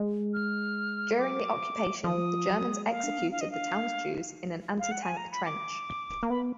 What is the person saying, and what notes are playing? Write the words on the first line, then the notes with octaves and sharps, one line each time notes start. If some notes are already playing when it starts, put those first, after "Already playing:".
During the occupation, the Germans executed the town's Jews in an anti-tank trench.
Already playing: G#3
F6
F#3 D6
F3 D#6
F#3
G#3
A#3 F5
D4
B3
D4 F5
D#5
F5
D#4
F5
F#5
G#5
A#5
B5
D4 D6
A#3
B3 B5